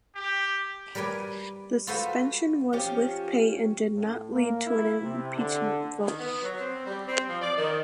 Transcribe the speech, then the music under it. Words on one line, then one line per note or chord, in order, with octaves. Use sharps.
The suspension was with pay and did not lead to an impeachment vote.
G4
G3 A#4 B4 D5 G#5
F4 F#4 A4 B4 C5
F3 C#4 G4
A2
A#3
E4
C3
D3
D#3
B3
F#3
C4
G3
C4
F3
D5
D#3